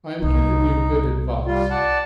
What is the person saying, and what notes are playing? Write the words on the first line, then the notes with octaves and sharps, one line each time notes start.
I am giving you good advice.
C2 D#4
G3 F4
D5 F#5 A5